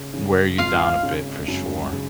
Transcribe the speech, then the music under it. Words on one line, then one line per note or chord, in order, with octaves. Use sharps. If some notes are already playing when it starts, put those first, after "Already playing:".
wear you down a bit for sure.
Already playing: C#3
C#3
G#1 F4 F5
C#3
F#2
C#3